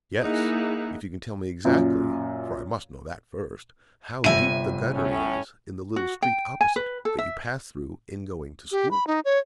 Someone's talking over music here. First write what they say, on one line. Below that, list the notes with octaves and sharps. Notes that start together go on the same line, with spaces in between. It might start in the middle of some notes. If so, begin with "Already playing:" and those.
"Yes, if you can tell me exactly--for I must know that first--how deep the gutter is in the little street opposite, that you pass through in going to school."
A#3 D#4 E4 G#4 F#5
F#2 A#2
G1 C3 E5 G#5 D#7
A2 C#4
F#4
G5
G#5
B4
A4
E5
G4
B5
D#4
C#5